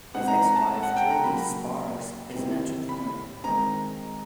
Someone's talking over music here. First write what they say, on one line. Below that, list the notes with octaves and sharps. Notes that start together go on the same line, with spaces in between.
His ex-wife, Jodi Sparks, is an entrepreneur.
B2 G#3 C4 D#4 F#5
A#5
A#5
A5
F#5
G5
A#5
C#3 F#3 A#3 B5
C3 D#3 G3 C4 E4
B5
D#3 G#3 C4 A#5